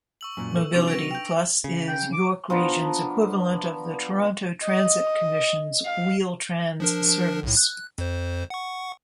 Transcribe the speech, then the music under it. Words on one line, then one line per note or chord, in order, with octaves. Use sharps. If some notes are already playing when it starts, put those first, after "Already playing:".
Mobility Plus is York Region's equivalent of the Toronto Transit Commission's Wheel-Trans service.
C#6 E6 F#7
F#2 A#2
A4
C3 F#3 D4 D#4 F7
B4 A#6 D7
G5 G6
C#3
G5
D6
F3 B3 D4 A#5
D#5
F5
F3 D4 A#4
B1 A2
F#6
F2 C5
F#5 C#6